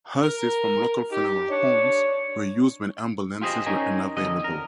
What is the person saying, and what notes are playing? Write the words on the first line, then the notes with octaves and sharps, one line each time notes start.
Hearses from local funeral homes were used when ambulances were unavailable.
A#4
D#4 G4
D4 C#5
F4 G4 G#4 C5 D#5
C#4 D#4 A#4 G#5
F2 D3 D#5
A#4